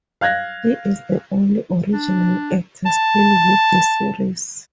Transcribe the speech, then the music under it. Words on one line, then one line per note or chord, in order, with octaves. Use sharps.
He is the only original actor still with the series.
F5 F#6 G#6 A#6
D4
A5